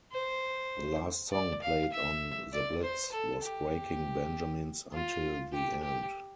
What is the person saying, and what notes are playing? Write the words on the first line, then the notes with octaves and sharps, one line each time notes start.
The last song played on "The Blitz" was Breaking Benjamin's "Until the End".
C5
D5
F5
E5
D5
C5
A4
G4
F4
G4
G4